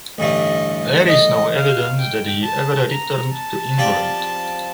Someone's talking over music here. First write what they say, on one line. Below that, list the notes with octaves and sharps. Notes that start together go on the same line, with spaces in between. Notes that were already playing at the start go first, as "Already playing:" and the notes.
There is no evidence that he ever returned to England.
A1 G2 D3 A3 D#5
D#5
F5
G5
A5
A#5
A5
F3 C4 G4 D5